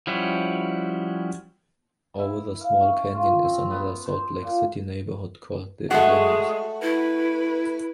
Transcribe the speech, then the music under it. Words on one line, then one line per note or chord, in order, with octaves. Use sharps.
Over the small canyon is another Salt Lake City neighborhood called "the Avenues".
F3 G3 C#4 E4 F#4
E4
F5
C#4
F4
C4
B3
C5
A#2
G#3 A3 F#4 G#4
E4 B4